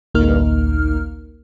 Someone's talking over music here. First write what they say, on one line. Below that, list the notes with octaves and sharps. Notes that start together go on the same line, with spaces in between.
you know,
A1 D2 A#3 D#4 A#4 F6